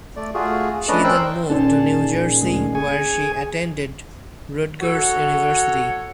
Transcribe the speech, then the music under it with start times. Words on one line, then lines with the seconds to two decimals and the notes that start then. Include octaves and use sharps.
She then moved to New Jersey, where she attended Rutgers University.
0.16 A3 D5
0.34 A3 F4 F#4 G#4
0.88 A3 C#4 D4 B4 D#5 A5
1.04 C4 A#4 C5 G5 E6 F#6
1.50 A#2 D#3 C#4 D#4 G#4 D5 A5
2.41 D2 G#3
2.75 G#4 G#5 C#6
4.81 F#4 A4 C#5